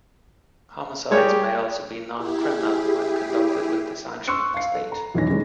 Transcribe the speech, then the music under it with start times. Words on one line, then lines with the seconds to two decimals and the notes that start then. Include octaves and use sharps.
Homicides may also be non-criminal when conducted with the sanction of the state.
1.11 G3 G4 G#4 C#5
2.17 E4 G4 G#4
4.28 C6 C#6 E6 F#6 C#7
4.54 F5 C7
4.75 A4
4.92 A#5
5.14 B1 E2 D#3 C#4 C#5 A#6
5.30 D#3 G3 G#3 C#4